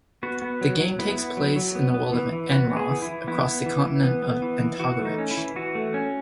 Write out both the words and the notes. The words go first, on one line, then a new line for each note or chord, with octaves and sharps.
The game takes place in the world of Enroth, across the continent of Antagarich.
B3 F#4
B3
F#3
F#3
B3 E4
B3
F#3
F#3
B3
B3
E3
E3
B3 F#4
B3
G#4
E3
E4
E3
B3 E4
B3
E3
E3
B3
B3
E3
E3
E3 F#4
A3
D#4
C#4
E4
E3
E3 F#4
A3
C#4